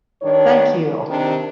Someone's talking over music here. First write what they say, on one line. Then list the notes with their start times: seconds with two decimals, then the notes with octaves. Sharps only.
Thank you.
0.22 G2 D#3 D4 C#5
1.09 C3 D#3 D4